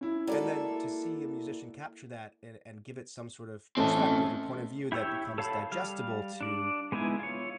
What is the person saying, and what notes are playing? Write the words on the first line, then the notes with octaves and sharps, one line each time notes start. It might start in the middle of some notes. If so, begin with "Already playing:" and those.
and then to see a musician capture that and and give it some sort of perspective or point of view that becomes digestible to
C#4 E4
G#3 A#3 E4 F#4 A4 D5
A1 A3 C4 C#4 A5
E4 G4 C#5 E6 G6
A4 C#5 F5 A5 B5
G3 F5
D4 D5
G#3 B3 D#4 E4 G#5
F4 C#5